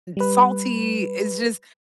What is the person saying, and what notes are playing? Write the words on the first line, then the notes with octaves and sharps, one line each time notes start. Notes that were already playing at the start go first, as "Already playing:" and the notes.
salty." It's just
G3 B4